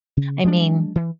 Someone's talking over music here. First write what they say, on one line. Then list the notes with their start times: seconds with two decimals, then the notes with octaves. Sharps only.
I mean,
0.17 C#3
0.44 F#3 G#3 C4 D4
0.96 E3